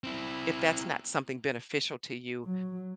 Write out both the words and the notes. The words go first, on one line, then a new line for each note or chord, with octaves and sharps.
if that's not something beneficial to you,
C4 E4
F#3